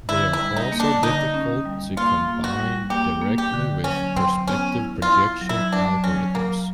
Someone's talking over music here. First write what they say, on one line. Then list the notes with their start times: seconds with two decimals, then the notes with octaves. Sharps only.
They are also difficult to combine directly with perspective projection algorithms.
0.09 D3 E4
0.33 E4
0.40 G3
0.56 D#4
0.72 A#3
0.80 D4
1.03 D3 D#4
1.34 C#4
1.65 G3
1.97 A#3 F4
2.28 A#3
2.44 F#4
2.60 G3
2.90 A#3 G4
3.21 A#3
3.38 G4
3.54 D3
3.84 F#3 C#4
4.16 F#3 C4
4.47 B3 C#4
4.78 E4
5.02 F4
5.10 E4
5.41 F#3
5.49 E4
5.72 F#3 D4
6.04 F#3 C#4
6.35 F#3 A#3